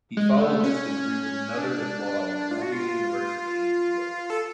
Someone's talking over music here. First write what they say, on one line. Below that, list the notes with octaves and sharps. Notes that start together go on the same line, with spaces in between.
He followed this degree with another in law at Columbia University in New York.
G#3
A3
C#4
D4
F4
F#4
F4
A4